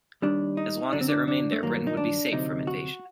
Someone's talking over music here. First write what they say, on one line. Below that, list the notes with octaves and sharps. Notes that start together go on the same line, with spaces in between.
As long as it remained there, Britain would be safe from invasion.
D#2 D#3 G3 D4
D#4
F#2 D3 F#3 D4
C4
D4
D4
A3
G2 D#3 F#3 A#3
D#4
D4
D2 C3 F#3 D#4
F#4